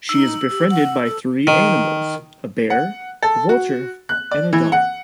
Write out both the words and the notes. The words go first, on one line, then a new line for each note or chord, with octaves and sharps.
She is befriended by three animals: a bear, a vulture and a dog.
D#4 E6
G4
F#5
A4
D#3
F#5
A4
F#4
F#6
D5
E3
F#5